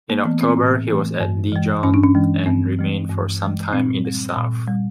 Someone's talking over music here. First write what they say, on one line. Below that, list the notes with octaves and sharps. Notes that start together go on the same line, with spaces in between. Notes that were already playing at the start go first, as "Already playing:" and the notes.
In October he was at Dijon, and remained for some time in the south.
A#3
E3 A3 B3
C4
A2
E3 A3
G2
E3 G#3
G2 C#4
D4
C#4
E3 G#3
G2 C4
E3 G#3
G2
E3 G#3
A#2 C4
G3
A#2
G3